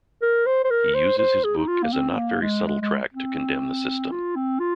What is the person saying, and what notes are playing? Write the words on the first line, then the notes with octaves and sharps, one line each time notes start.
He uses his book as a not very subtle tract to condemn the system.
A#4
C5
C5
A#4
C5
C5
G#4
D#4
F4
A#3
C4
C4
A#3
G#3
G#3
G#3
C4
F4
C4
F4